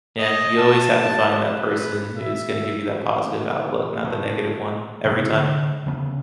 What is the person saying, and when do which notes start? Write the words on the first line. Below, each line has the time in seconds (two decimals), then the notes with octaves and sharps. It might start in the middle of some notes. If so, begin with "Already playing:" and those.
Yeah, you always have to find that person who's gonna give you that positive outlook, not the negative one, every time.
0.18 D#5
0.57 A5
1.42 B4
2.16 E5
4.04 A2
5.05 C3 A#3
5.33 D3
5.86 D2 C#3 B3